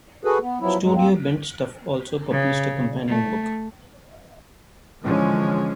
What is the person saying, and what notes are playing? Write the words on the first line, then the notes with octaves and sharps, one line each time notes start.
Studio Bent Stuff also published a companion book.
F#4 G#4 A4 B4
B3
F3 F#3 B3 E4
G2 F#3 G#3
A#3 C4
C#3
A3
D3 E3 F3 G#3 C#4